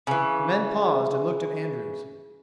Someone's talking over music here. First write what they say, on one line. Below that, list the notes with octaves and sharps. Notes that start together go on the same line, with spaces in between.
The men paused and looked at Andrews.
C#3 E3